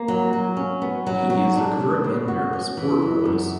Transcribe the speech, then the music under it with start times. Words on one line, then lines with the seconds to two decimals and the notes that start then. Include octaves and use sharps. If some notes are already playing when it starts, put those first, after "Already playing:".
He is the current manager of Sport Boys.
Already playing: A#3
0.08 F#3
0.33 F#3
0.57 C#4
0.82 B3
1.07 F#3
1.30 F#3
1.56 D4
1.80 G3
2.04 C#3
2.28 F#4
2.53 C#4
2.77 E3
3.02 F#2
3.25 F#2